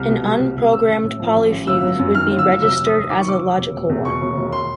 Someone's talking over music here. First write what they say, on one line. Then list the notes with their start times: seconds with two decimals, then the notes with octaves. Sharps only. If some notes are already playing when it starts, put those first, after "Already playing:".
An unprogrammed polyfuse would be registered as a logical one.
Already playing: C2 F6
0.09 B2
0.24 G3
0.40 C2
0.57 C2
0.72 A1 E6
0.88 A1
1.04 A2
1.20 F3
1.36 A1
1.52 A1
1.67 G1 E6
1.84 F#3
1.99 F#2
2.15 D#3 F6
2.31 G1
2.39 E6
2.47 F#3
2.62 F1 E6
2.78 F1
2.86 D#6
2.94 D#2
3.10 D#3 D6
3.20 C#6
3.26 F1 D6
3.42 F1
3.58 E1
3.73 E1
3.89 E2
4.05 B2 C#6
4.21 E1
4.37 E1
4.52 C6